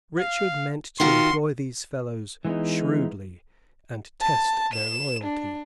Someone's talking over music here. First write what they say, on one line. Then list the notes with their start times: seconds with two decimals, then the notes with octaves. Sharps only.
Richard meant to employ these fellows shrewdly and test their loyalty.
0.20 F5
1.00 D#3 F4 F#4 C6
2.45 E3 G#3 A3 B3 D#4
4.21 A5
4.73 E7
5.24 D4